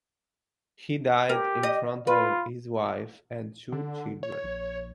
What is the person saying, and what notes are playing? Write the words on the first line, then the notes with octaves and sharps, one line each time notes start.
He died in front of his wife and two children.
G4 A#4
D#5
F4 B4
D3
C#5
A#1